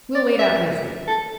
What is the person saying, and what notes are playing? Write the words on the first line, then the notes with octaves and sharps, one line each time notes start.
"We'll wait out here for you."
D5
E5
A4